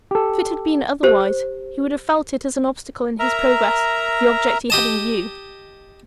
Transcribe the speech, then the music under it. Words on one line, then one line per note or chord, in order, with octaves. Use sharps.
If it had been otherwise, he would have felt it as an obstacle in his progress to the object he had in view.
G4 A4
G4 C5
A#4 E5 A#5
G4 D#5 A5